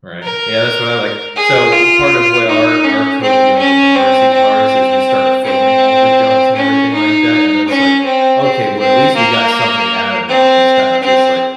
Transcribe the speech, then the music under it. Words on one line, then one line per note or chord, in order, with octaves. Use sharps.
Right? Yeah, that's what I liked. So, what part of where our our copium with the RC cars is we start filming all the jumps, and everything like that, and then it's like, "Okay, well, at least we got something out of it," and it's not just, like,
A#4
G#4
F4
D#4
C#4
C4
C#4
C4
C4
C4
C#4
D#4
C#4
C4
C4
C4
A#3
C4
C4